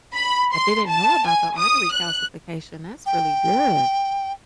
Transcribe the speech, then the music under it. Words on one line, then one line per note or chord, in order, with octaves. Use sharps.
I didn't know about the artery calcification, that's really good.
B5
C6
A5
G#5
D#6
F#6
G5